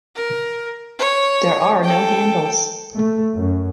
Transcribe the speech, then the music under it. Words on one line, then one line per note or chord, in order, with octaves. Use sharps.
There are no handles.
A#4
C#5
A4 G5
A3
F#2